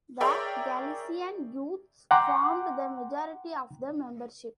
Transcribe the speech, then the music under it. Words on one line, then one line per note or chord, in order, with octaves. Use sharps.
The Galician youths formed the majority of the membership.
G#4 A#4 C#5 D5 E5 G5
F#5 G5 A#5 C6 D6